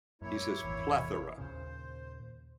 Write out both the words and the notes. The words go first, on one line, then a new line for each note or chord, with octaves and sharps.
He says "Plethora."
F#2 A#2 A#3 E4 C#5
G#1 E2
D#2 A#2 C#3 C5